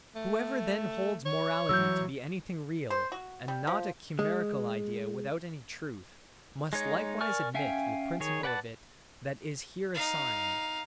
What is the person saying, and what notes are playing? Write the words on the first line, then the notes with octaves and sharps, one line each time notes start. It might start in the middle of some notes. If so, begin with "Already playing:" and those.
Whoever then holds morality to be anything real, and not a chimerical idea without any truth, must likewise admit the principle of it that is here assigned.
A3
C#5
E3 F#3 E6 G6
C5
F#4
G3
F3
G#3
G#3 D#4 C#5
A#4 D5 G#5 C#6 F6
C#4 E5 F5 G5 G#5
D#3 G#4 C#5
B4 D5 F#5 G5 A5
D#4 F5